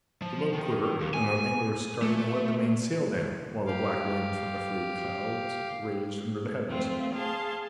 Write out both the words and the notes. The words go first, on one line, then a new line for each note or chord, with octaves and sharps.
The boat quivered, and the angler started and let the main-sail down, while the black wind from the frayed clouds raged under the heavens.
F3
D#3
D#2
G#5
A3
G4 F5
A3 C4 F4
G#4 F5 A5 C6